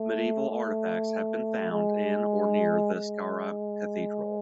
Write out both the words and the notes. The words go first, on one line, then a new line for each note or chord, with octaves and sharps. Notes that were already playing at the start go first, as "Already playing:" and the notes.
Medieval artifacts have been found in or near the Skara cathedral.
Already playing: A3
A3
G#3
G#3